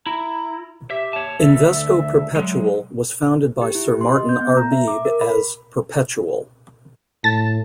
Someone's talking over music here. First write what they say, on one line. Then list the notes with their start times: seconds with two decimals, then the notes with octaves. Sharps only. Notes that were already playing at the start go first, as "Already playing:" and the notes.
Invesco Perpetual was founded by Sir Martyn Arbib as "Perpetual".
0.06 E4 A#5
0.90 G4 E5
1.13 C#5 A5
1.40 D2 A4 E5
2.35 F#3 G#3
3.62 G4
3.75 E4
3.88 G4
4.01 C6
4.15 D#5
4.29 G6
4.41 B3
4.57 A#5
4.72 E5
4.88 D6
5.05 A#4
5.21 B5
7.24 A2 A5 A6